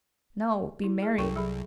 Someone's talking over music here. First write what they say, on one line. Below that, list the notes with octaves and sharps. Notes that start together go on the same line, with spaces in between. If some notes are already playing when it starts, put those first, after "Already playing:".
No, be merry.
E4
G#4 D#5
C2 A4 G5 C#6
F#3 G#4 B5